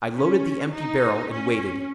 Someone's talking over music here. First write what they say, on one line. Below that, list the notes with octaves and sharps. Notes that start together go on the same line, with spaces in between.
I loaded the empty barrel and waited.
C#4
D#4
C#4